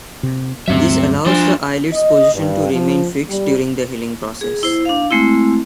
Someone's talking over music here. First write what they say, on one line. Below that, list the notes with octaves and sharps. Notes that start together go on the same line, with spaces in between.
This allows the eyelid's position to remain fixed during the healing process.
C3
D2 G2 F#3 C4 E5
F3 D4 C5
D#5
G2
F3
G3
G#4
E4 C5
D4 F5
G#3 A3 C4 E4